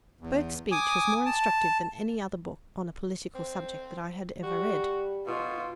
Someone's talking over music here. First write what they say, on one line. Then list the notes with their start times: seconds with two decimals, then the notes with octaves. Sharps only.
Burke's speech was more instructive than any other book on a political subject that I had ever read.
0.21 E2
0.72 G#5 D6 D#6
1.26 A5
3.35 C4
4.43 G3 F#4
5.27 B2 F4